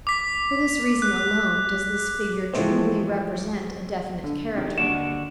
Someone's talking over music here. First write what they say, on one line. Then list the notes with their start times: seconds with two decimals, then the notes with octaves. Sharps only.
For this reason alone does this figure truly represent a definite character.
0.07 D6 B6
1.02 F#6
2.53 E3 F3 G#3 A3 C4
4.24 D3
4.55 C3 D#3
4.78 D#2 D3 D4 F#4 E7